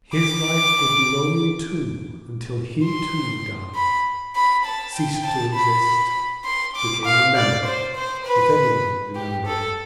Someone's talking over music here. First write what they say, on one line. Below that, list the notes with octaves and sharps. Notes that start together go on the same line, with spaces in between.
His life would be lonely too until he, too, died, ceased to exist, became a memory--if anyone remembered him.
D6
C6
B5
B5
A5
G5
A5
B5
C6
D6
F5
D5
C5
C5
B4
G4
A4